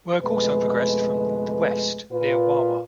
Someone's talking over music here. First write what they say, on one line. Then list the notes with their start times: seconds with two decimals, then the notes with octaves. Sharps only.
Work also progressed from the west, near Wawa.
0.23 F2 B2 G#3 A3 B4
2.11 A#2 F4 B4